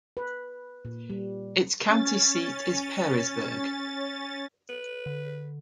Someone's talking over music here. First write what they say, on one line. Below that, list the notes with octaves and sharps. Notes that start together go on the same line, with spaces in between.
Its county seat is Pearisburg.
B4
A#2
G3
C#4 A6
B4
D3